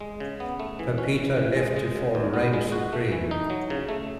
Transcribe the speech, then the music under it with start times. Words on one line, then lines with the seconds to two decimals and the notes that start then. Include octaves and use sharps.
Pepito left to form Reign Supreme.
0.01 G#3
0.20 C#3
0.40 B3
0.60 A3
0.79 E3
0.98 C#4
1.18 E3
1.36 C#3
1.56 G#3
1.76 G#3
1.96 C#3
2.15 D#2
2.34 B3
2.53 G#3
2.72 F#4
2.93 A3
3.12 E3
3.31 D#4
3.50 F#3
3.70 C#3
3.89 A3